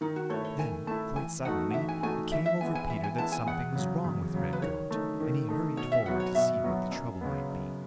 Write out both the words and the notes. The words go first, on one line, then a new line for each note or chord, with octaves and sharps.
Then quite suddenly it came over Peter that something was wrong with Redcoat, and he hurried forward to see what the trouble might be.
D#3 D#4
F#4
A3 E4 C#5
C#5
D#3 G#5
A3 E4 A5
E3 G#5
A3 D#4 F#4 F#5
E3 E5
G#5
A3 D#4 F#4 G#5
E3 E5
E5
G#3 B3 E4 G#5
G#5
E3 E5
G#5
G#3 B3 E4 A5
G#5
E2 F#5
C#3 F#3
E2
C#3 F#3
B4
D#3 C#5
A3 D#4
D#3
A3 D#4
B2 C#5
E5
F#3 B3 F#4 F#5
C#5
B2 E5
F#3 B3 F#4
F#2
C#3 G#3 B3
F#2